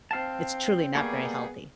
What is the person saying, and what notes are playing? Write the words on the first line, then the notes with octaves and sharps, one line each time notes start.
it's truly not very healthy.
C4 F5 A5
G3 A#3 B3 G#4 C#5